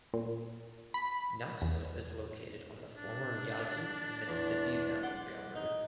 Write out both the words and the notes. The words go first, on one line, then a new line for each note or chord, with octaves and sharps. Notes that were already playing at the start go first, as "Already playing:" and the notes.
Knoxville is located on the former Yazoo and Mississippi Valley Railroad.
A#2
B5
E2
D4
E2
F#5 C6 D6
D#4